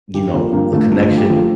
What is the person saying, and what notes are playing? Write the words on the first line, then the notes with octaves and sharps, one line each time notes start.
you know, the connection
G2 G4
F3 A#3
G2 A#3
F3 A3
G2 A3
F3 F4
G4
F3